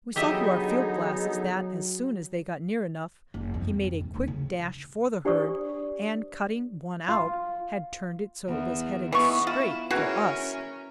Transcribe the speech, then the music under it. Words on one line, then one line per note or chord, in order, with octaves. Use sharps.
We saw through our field glasses that as soon as they got near enough he made a quick dash for the herd, and cutting one out, had turned it so it was headed straight for us.
D3 F#3 B3 D#4 G4 G#4 D#5 E5
F#1
F2
C4
F2
F2
D#2
C#3
D4 G4 C5 D5 C#6 D#6
F4
E2
E3 B3 D#4 C#6
E4 F4
E3 C#4 F#4 G#4 A#4